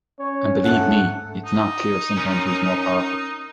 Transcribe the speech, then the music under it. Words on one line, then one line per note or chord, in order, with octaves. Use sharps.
And believe me, it's not clear sometimes who's more powerful.
C#4 C#5
D2 G#2 A3 A4 F#5
D#4
C#4 A#4